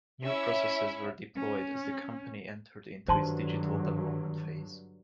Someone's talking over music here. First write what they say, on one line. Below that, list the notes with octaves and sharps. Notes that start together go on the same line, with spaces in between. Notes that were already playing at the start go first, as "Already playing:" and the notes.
New processes were deployed as the company entered into its digital development phase.
C#4 E4 C#5 E5
C#4
G2 D3 D#3 F#3 C5 A5 C6